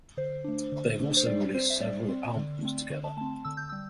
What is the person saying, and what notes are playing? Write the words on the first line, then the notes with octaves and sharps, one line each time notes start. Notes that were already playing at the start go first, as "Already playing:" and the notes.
They have also released several albums together.
D3 C5
A3 D4
D3
A3 D4
C5
G3 D5
C4 C5
E5
G3 D5
C4
D3
A3 C4
D3
A5
A3 C4 A5
D3 E6
G6
G3 E6